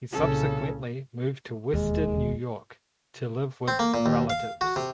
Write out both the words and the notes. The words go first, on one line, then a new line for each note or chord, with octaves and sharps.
He subsequently moved to Western New York to live with relatives.
C2 A#2 C#3 C#4 A4
E1 D#2 G#3
C4
A#3
A#2
D#2
F5
F#4
C3